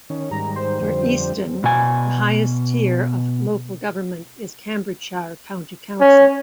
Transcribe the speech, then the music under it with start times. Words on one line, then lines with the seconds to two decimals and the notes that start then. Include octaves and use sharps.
For Easton the highest tier of local government is Cambridgeshire County Council.
0.10 D#3 C#4
0.31 G#2 D#3 G3 A#5
0.56 C5
0.81 F2 D3 G3
1.64 B2 G#5
6.00 C#4